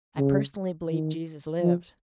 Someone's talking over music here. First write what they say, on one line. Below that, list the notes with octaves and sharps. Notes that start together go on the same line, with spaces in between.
I personally believe Jesus lived.
C#3
D#3
F3